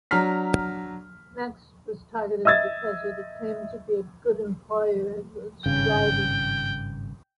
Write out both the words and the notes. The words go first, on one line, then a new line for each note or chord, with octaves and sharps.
Next was targeted because it claimed to be a good employer and was thriving.
F#3 D4 A#5 F6 B6
D#5 E5 E6 G#6 A6
G#1 G2 C#3 G5